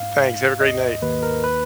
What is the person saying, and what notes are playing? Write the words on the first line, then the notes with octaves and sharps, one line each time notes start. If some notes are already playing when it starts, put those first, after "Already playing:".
Thanks, have a great night.
Already playing: G#2 F5
G#2
D#2 D#5
D#2 B4
A#4
B4